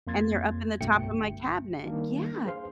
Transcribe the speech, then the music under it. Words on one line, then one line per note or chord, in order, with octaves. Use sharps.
and they're up in the top of my cabinet, yeah
F2 A#3 C6 G#6 A6
C2 G2 B2 A3 G5 C#7
G1
D#3 G3 A#3 D4
G#4 B4 C5 F5 C6